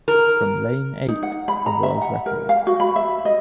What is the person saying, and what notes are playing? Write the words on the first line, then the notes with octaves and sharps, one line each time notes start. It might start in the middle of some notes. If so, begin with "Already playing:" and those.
From lane eight, a world record.
A#4
D#4
F#5
B5
A#5
E5
F#5
A#4
F5
F#4
B5
E5
D#5